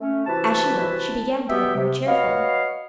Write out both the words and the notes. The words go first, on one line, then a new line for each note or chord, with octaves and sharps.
As she worked she began to look more cheerful.
A3 C#4
C3 E3 E4 F#4 B4 A5
E2 B2 B3 G4 E5 G5
C3
F#4 B4 C#5 D#5 F5